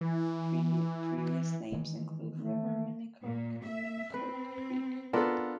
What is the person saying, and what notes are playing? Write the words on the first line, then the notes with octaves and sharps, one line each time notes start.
Previous names included River Mimicoke and Mimicoke Creek.
E3
E3
D#3 E3 G#3
A3
A#2
E5
C4 B4
B3 D4 F4 A4 A#4